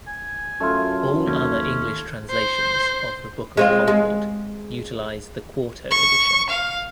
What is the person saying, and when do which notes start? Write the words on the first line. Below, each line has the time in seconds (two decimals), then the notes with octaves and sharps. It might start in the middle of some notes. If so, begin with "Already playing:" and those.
All other English translations of "The Book of Concord" utilize the quarto edition.
0.07 G#5
0.60 F#2 A3 F4
1.27 D#2 C#4
2.30 C5
3.57 G#3 C4 F4
3.88 G#3
5.91 C#6
6.50 F5